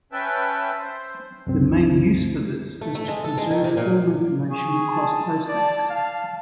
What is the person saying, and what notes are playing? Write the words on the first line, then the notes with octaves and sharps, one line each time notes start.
The main use for this is to preserve form information across postbacks.
C#4 B4 E5 G5 A5
C5
C2 F#2 C4
A3
A3
G#3
A4
G#3
D#3
C3
A#2
G#4 C#6
A5
D5
F5